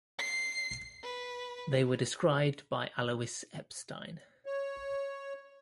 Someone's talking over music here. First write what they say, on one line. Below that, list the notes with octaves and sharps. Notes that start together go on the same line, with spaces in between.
They were described by Alois Epstein.
C7
B4
C#5